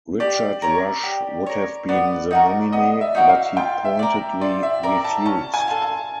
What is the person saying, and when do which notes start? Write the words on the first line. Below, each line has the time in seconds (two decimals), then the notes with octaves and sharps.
Richard Rush would have been the nominee, but he pointedly refused.
0.20 G4 D5
0.62 A#4 C#5
1.04 G4
1.46 A#4 C#5
1.89 B3 D5
2.31 D#4 F#4 A#4
2.72 B3 D#5
3.01 E5
3.15 D#4 F#4 A#4
3.29 F5
3.57 F4 G5
3.85 E5
3.99 A#4 D5
4.41 F4 D5
4.63 E5
4.83 A#4 D5 A#5
5.04 A5
5.25 C#4 A5
5.54 G#5
5.68 F4 A4
5.82 A5